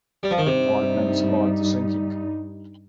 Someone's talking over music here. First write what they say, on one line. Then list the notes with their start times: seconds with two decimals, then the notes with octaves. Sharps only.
Five men survived the sinking.
0.23 G3
0.31 F3
0.38 D#3
0.46 G2 C3 G3 D#4